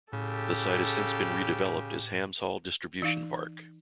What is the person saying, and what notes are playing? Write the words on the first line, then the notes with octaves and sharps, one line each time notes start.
The site has since been redeveloped as Hams Hall Distribution Park.
A2 C#3 G4 A4
E3 D#4 F5